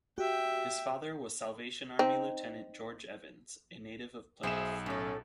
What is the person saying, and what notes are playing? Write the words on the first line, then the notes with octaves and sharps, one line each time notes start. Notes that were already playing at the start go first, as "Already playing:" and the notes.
His father was Salvation Army Lieutenant George Evens, a native of Plymouth.
F#4 G4 E5 G5
C4 D#4
B1 G#4 C5 E5 E7
A2 C#4 A4